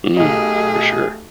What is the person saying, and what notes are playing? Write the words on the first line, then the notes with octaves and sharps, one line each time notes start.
Mm, for sure.
B1 A3 G4 G#4 D#5